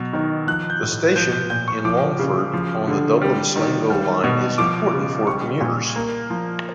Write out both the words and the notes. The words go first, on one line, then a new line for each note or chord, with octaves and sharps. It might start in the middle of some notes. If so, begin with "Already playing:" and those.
The station in Longford on the Dublin-Sligo line is important for commuters.
Already playing: B2 F#3
D#3
F3 F#6
G6
A2
F3 G6
G6
A#2 G6
C#6
F3 D6
C#3
F3
D3
G3
D#3
G3
B2
F3 D6
C#3
G3 C#6
A#2
A#3
F3